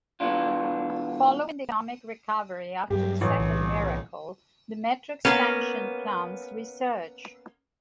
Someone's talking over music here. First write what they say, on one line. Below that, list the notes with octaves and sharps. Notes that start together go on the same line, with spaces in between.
Following the economic recovery after the second miracle, the metro's expansion plans resurged.
B2 E3 D4 F4
G2 F#3 G4
A1
B1 C#3 E3
A#3 B3 C#4